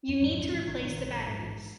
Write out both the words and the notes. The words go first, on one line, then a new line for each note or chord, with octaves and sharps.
You need to replace the batteries.
F2
G#2 F#3
A#1 F3
G#2 E3
A#1 D#3
A#1 D#3
A#1
A#1
G#2
A1